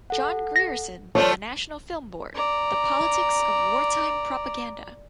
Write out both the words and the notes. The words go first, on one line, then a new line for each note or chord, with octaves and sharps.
John Grierson and the National Film Board: The Politics of Wartime Propaganda.
A4 F#5
A#6
F3 A3 F4 C#5 D5 A5
D5 A#5